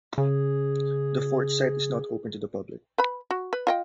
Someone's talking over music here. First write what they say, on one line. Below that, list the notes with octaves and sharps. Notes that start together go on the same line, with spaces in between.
The fort site is not open to the public.
C#3 G#4
B4 B5
F#4
B4
F4 D#5 G5